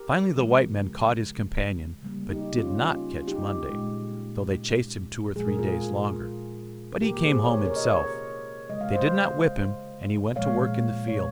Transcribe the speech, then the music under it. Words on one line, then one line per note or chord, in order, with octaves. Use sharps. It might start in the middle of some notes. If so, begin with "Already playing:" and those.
Finally the white men caught his companion, but did not catch Monday, though they chased him two or three days longer, but he came home himself; they did not whip him and he went to work in the field.
Already playing: G4 A#4
C#3 F3 G#3
C#3 G3 A#3
D#4 G4
C#4 F4
D#4 G4
A#2 G#3
A#2 F3 G#3 G#4
A#4
F4 G#4
C3 D#3 A#3 G4 A#4
G#4 C5
A#4 C#5
A#4 C#5
D#5
A#4 C#5
C#3 G#3 D#5
F5
C5 D#5
A#2 F3 G#3 C#5 F5
C#5